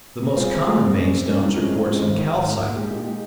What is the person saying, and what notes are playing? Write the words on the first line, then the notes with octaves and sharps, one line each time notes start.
The most common vein stones are QUARTZ and CALCITE.
C3
G3 C4 F4 G#4
C3
G3 C4 F4 G#4
C3
G3 A#3 C#4
C3
G3 A#3 C#4
C2
C3 F3 G#3 C#4
C2
C3 F3 G#3 C#4
G#1
G#2 D#3
G#1
G#2
D#3
A#2
G#3 D#4 G4
A#2
G#3 D#4 G4